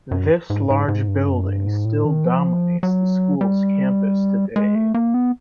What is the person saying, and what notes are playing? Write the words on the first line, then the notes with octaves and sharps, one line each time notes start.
This large building still dominates the school's campus today.
F#2
G#2
G#2
G#2
G2
F#2
G2
G#2
A2
D#3
F3
F#3
G3
G#3
A3
A#3
B3